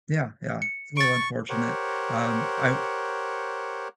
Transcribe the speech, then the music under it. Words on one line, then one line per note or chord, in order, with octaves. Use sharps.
Yeah, yeah, it's a little unfortunate, um, I
C#7
C#6 A6 D7
G4 A#4 C5 C#5 F#5